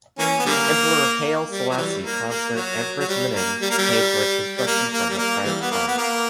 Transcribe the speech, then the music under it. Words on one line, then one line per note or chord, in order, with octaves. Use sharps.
Emperor Haile Selassie's consort, Empress Menen, paid for its construction from her private funds.
E3 A#3 C#4
B3
D3 G3 A#3
G3
F#3
E3 G3
A#3
A#3
F#3
F#3
G3
A#3
G3
A#3
G3
G3
A#3
A#3
G3
A#3
E3 G3
B3
A#3
B3
A#3